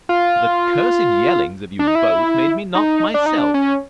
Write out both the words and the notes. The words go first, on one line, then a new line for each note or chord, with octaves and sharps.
But the cursed yellings of you both made me not myself.
F4
D4
D#4
E4
D#4
D4
D#4
D4
C#4